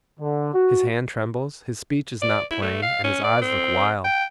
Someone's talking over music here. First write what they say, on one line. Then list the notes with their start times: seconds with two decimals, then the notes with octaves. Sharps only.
'His hand trembles, his speech is not plain, and his eyes look wild.
0.20 D3
0.54 F#4
2.22 D5
2.51 E4
2.62 A3
2.82 F5
3.04 C#4
3.24 D5
3.41 C4
4.04 G5